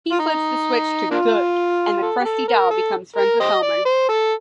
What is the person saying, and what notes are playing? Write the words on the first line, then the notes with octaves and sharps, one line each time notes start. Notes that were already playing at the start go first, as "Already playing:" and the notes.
He flips the switch to "Good" and the Krusty doll becomes friends with Homer.
F4
D#4
A#3 D4 F4
A4
G4
A4
A#4
A4
A#4
G4 C5 D#5
D5
C5
A4